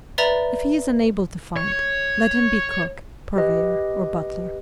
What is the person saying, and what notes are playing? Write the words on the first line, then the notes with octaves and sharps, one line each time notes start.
If he is unable to fight, let him be cook, purveyor, or butler.
B4 D5 E5 A#5 B5 A6
C#5
G4 B4 D#5